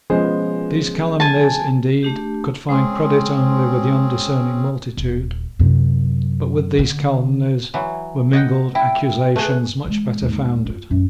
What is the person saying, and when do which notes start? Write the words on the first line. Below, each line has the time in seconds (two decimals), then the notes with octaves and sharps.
These calumnies, indeed, could find credit only with the undiscerning multitude; but with these calumnies were mingled accusations much better founded.
0.10 F3 G#3 B3 C#4 G#4 C5
1.20 G#5 A5
2.03 A3 D4 G4
2.69 G#3 C4 C#4 G#4 C5 C6
4.97 D#1
5.59 F#2 C3
6.79 D3
7.74 E3 F#3
8.33 D#5 F#5 G5
8.75 E4 G5
9.36 A3 G#4 B4
9.84 E3 G#3
10.22 D#2 G#2
10.65 D#4 F4
10.90 A1 F#2